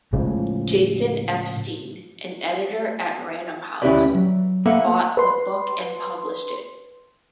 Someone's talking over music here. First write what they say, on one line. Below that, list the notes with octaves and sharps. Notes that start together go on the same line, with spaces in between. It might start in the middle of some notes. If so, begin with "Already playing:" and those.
Jason Epstein, an editor at Random House, bought the book and published it.
A2 C#3 F3 G#3
D2 C#4 E4 G4 B4 D5
F#3
A#3 A4 B4 E5 F#5
B4 C6